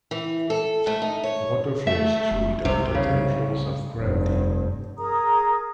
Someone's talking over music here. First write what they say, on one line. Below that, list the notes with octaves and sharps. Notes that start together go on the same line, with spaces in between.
Water flows through it under the influence of gravity.
E3
A4
A3
D#4
C#5
A3 E5
E1
C2 C3
C#3
F1 G2
G#4 A#4 A#5 D#6